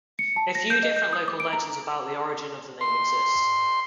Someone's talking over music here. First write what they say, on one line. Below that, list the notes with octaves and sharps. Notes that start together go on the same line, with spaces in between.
A few different local legends about the origin of the name exist.
C#7
A5
A#6
G6
D#5
G6
D#6
D6
D7
A#5
C6